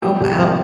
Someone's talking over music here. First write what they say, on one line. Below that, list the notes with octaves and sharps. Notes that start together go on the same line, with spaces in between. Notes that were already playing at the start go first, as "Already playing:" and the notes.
Oh, wow.
B2 G4
C2 G4
C2 C4